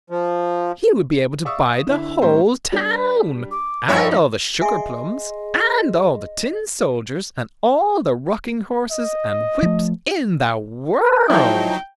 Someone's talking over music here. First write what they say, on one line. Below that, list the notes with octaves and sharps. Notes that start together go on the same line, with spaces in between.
He would be able to buy the whole town, and all the sugar-plums, and all the tin soldiers, and all the rocking-horses and whips in the world.
F3
D5 E5 F5 C#6 D#6 E6
D3 E4
A2 G3 C#4 C5 A#5 C6
G3 D4
D6
G2 A#2 F3 D#4 C#5 E5 G5
G#4 D#5 E5 G#5 C6
D#5
F3 A3
F3 F#3 D#4 E4 G5